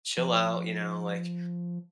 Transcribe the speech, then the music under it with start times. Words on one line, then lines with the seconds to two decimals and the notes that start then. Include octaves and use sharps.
chill out," you know, like,
0.18 F3